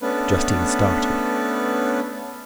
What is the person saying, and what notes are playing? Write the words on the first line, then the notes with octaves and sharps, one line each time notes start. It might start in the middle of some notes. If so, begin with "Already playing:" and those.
Justine started.
A3 B3 C#4 D4 B4